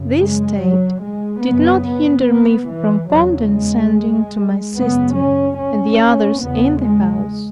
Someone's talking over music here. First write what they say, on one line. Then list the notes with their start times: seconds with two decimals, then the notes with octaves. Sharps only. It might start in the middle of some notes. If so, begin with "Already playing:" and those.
This state did not hinder me from condescending to my sister, and the others in the house.
Already playing: F#2 C#3
0.21 G#3
0.62 F#3
1.03 G#3
1.44 F#2 C#3 B3
1.86 B3
2.27 B3
2.69 E3
3.10 E2 C#3 F#3
3.51 G#3
4.74 F#2 C#3 B3
5.16 C#4
5.57 C#4
6.39 E2 C#3 B3
6.81 G#3